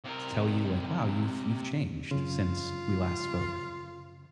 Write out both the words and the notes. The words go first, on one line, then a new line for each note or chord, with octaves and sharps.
t tell you, like, "Wow, you've you've changed since we last spoke?"
C3 A#4
F#2 C#3 F4